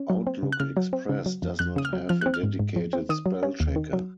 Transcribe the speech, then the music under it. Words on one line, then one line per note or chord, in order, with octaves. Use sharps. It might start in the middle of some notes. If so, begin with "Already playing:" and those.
Outlook Express does not have a dedicated spell checker.
Already playing: C#4
F#3
C4
C#3
F#6
C#3 F6
F#3
C4
C#3
F#3
F2
F2 F#6
C#3 D#6
F6
F#3
F3 F6
C4 F#6
F6
G#2
G#2
F3
C4
D#3 D#6
F#3
C#4
D#2
D#3
F#3